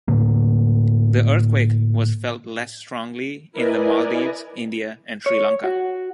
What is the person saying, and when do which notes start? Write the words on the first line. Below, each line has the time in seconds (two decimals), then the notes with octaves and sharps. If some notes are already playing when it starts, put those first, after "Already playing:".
The earthquake was felt less strongly in the Maldives, India, and Sri Lanka.
0.08 A2 D3 A#3
3.52 E4 A#4 B4 D5 D#5 G#5
5.26 C#5
5.64 F#4